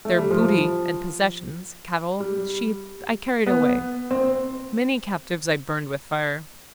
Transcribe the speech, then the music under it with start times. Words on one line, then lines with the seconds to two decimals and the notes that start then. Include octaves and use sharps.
Their booty and possessions, cattle, sheep, I carried away; many captives I burned with fire.
0.05 A3
0.18 G3
0.31 F3
2.20 G3
3.46 B3
4.11 C4